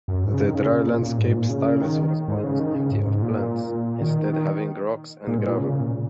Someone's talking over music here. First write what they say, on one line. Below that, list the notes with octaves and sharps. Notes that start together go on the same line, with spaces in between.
The "dry landscape" styles was almost empty of plants, instead having rocks and gravel.
F#2
G#2
C#3
D#3
C#3
A#2
A#2
G#2
A#2
C#3
D#3
G#2
C#3
D#3
C#3
G#2
G#2
A#2
D#3
D#3
A#2
G#2
A#2
C#3
C#3
A#2